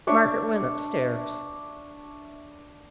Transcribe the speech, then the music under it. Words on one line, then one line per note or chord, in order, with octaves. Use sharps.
Margaret went upstairs.
D4 C#5 E5